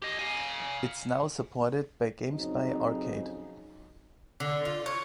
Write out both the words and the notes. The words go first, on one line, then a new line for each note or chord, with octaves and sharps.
It's now supported by GameSpy Arcade.
G4 D#5
F5 G#5
F2 C#3 F#3 C4 D#4
D3
F4
C#5